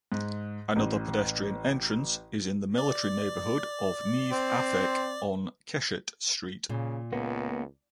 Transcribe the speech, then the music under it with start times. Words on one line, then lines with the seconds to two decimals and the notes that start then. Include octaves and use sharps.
Another pedestrian entrance is in the military neighborhood of Neve Afek on Keshet Street.
0.12 G#2
0.76 A1
2.78 D5 D6
4.31 C4
6.69 A#2 C#3
7.13 C#2 A#3 B3